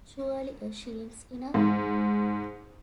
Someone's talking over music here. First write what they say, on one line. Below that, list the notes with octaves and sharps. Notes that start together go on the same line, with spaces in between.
Surely a shilling's enough?
G#2